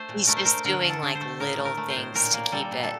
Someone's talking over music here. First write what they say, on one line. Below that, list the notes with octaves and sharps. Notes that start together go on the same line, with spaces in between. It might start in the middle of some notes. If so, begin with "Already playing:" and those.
He's just doing, like, little things to keep it
Already playing: A3 C5
A#2
A3 A#4
C5
A3 A#4
D3 A#4
D3 A#4
A4
D3
C5
A3
A2 A#4
A3
A#4
A3
C5
A2
A#2 A#4
A#3
G3 A4
A#2
A4